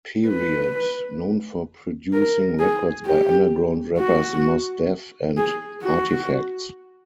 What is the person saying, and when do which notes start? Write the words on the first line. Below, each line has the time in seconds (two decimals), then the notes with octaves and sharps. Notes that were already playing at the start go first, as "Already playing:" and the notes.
Period, known for producing records by underground rappers Mos Def and Artifacts.
0.27 B4
2.13 A#4
2.59 G#4
3.05 G4
3.99 F#4
5.37 G#4
5.83 F#4